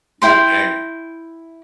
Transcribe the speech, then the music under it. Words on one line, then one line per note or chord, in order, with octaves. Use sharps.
good game.
E4 G5 C6